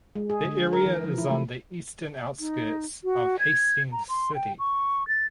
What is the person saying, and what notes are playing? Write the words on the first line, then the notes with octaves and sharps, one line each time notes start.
The area is on the eastern outskirts of Hastings city.
G#3
G#4
D3
A#4
E3
F3
E4
A3
D#4
F#4
G#6
A#5
C6
G5
C#6
A6